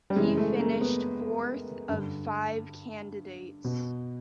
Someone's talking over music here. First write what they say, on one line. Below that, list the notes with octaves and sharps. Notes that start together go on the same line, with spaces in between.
He finished fourth of five candidates.
G3
F#2 C#3 E3 G#3
A3
A#3
B3
G2 D3
B2